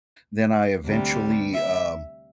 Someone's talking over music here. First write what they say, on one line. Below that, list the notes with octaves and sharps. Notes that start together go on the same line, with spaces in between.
then I eventually, um,
D2 C3 G3
E5